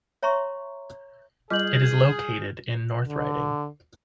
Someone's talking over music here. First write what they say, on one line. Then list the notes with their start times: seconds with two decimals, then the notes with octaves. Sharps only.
It is located in Northriding.
0.23 C#5 E5 A#5 C6 C#6
1.50 G3 F4 G#4 D#5 F6 G6 F#7
3.05 D3